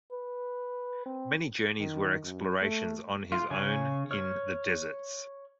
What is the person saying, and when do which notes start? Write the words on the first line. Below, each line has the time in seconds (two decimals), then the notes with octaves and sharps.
Many journeys were explorations on his own in the deserts.
0.12 B4
1.06 C4
1.80 D#3
2.24 F#2
2.61 A3
3.32 F4
3.51 C#3 C#4 G#5
4.11 C#5 F6